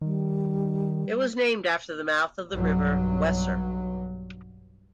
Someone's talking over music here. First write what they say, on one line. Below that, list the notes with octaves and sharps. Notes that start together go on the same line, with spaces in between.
It was named after the mouth of the river Weser.
D#3 G3
B1 G2 F#3